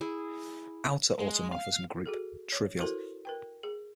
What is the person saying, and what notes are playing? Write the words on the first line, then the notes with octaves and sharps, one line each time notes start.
Outer automorphism group: Trivial.
E4 G#4
G#3
F5
F#4 G#4 A4
C#5
E4 F#4 A4 A#4 C5
A#4 B4 G5
G#4